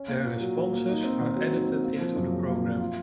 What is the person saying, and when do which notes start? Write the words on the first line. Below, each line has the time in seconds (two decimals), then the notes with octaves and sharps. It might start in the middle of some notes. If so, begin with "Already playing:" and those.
Their responses are edited into the program.
Already playing: C#4
0.08 A#3
0.24 A#2
0.41 F#3
0.56 C#4
0.73 A#3
0.89 D#4
1.04 C4
1.21 D#3
1.36 F#3
1.52 D#4
1.68 C4
1.84 A#3
2.00 F3
2.16 F#2
2.32 C#3
2.48 A#3
2.64 F3
2.80 F4